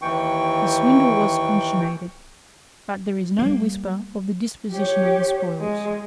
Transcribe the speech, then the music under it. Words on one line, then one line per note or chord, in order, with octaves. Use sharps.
The swindle was consummated, but there is no whisper of the disposition of the spoils.
D#2 E3 G5 C#6
G3 A#3
G4 C#5
G#3